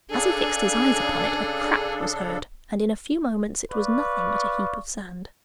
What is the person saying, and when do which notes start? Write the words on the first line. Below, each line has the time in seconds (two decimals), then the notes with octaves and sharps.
As he fixed his eyes upon it a crack was heard, and in a few moments it was nothing but a heap of sand.
0.11 C#3 D4 G#4 A4
3.72 B4 D5 F5 C#6